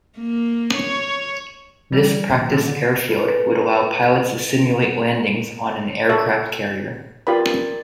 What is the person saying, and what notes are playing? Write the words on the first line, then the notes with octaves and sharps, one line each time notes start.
This practice airfield would allow pilots to simulate landings on an aircraft carrier.
A#3
C#5
E3 G3
A#2 D#3 F#3
D3
A4 B4
A4 C#5 E5
F4 G4 A#4 B4 D5 B5 A6